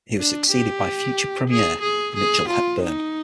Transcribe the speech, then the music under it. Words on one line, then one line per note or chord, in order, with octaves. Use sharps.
He was succeeded by future Premier Mitchell Hepburn.
D4
G4
G#4
G#4
G#4
F4
D#4